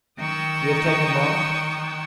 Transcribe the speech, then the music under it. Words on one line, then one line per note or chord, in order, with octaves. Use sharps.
"You have taken Monk?"
D#3 G5 C#6 D#6 E6 F#6